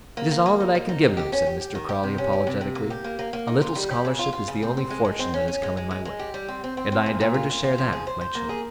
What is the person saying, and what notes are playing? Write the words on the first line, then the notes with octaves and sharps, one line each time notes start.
"It is all that I can give them," said Mr. Crawley, apologetically. "A little scholarship is the only fortune that has come in my way, and I endeavour to share that with my children."
A#3
A#3
A#3
D#4
A#3
D#4
G4
G4
C#4
G4
G4
D#3
G4
C3
C#4
G4
C3
C3
A#3
G4
A#3
A#3
A#3
D#4
F4
G3
G3
C#3
F4
F4
C#3
C4
C4
G#3
G#3
C4
C#4
C#4
G#3
G#3
G#3
G#3
G4
G3
C4
C4
C4
C4
A#2
A#2
F4
A#2
F4
F3
G#4
C5
C5
A#3
G#4